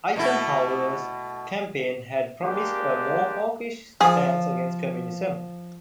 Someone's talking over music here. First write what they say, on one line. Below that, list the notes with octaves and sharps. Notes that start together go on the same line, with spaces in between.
Eisenhower's campaign had promised a more hawkish stance against communism.
B2 A3 E4
G#3 A#3 D4 G4
F3 G#4